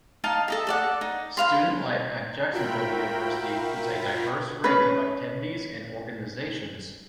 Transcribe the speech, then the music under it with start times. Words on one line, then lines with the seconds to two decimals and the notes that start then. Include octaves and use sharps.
Student life at Jacksonville University includes a diverse range of activities and organizations.
0.24 D#4 F5 A5
0.48 A4 D#5 E5
0.67 A4 D5 F#5
1.01 D#4
1.37 B4 F5 C6
2.53 F4 F#4 A#4 E5 G5 B5
4.64 C#4 B4